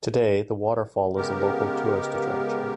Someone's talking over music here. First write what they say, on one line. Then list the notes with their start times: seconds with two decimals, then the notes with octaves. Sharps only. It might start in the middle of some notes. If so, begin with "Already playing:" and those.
Today the waterfall is a local tourist attraction.
1.16 C#3 G#3 B3 G4 A#4